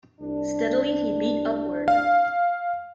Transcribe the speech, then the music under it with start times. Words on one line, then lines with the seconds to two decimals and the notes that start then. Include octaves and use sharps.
Steadily he beat upward.
0.21 C2 D4
1.88 F5